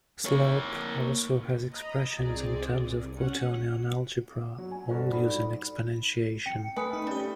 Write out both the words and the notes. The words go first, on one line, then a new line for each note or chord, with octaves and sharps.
Slerp also has expressions in terms of quaternion algebra, all using exponentiation.
A#3 C#5
D#5 A#5 B5
C2 C4 G#4 D5
C#4 F#5
F#3
G#5
G2 G3 F#4 A4 C5
D#4 D5 B5
D5
G5 C#7
A3 B4 G#5 D#6 C#7
D#4
G3 C#4 G4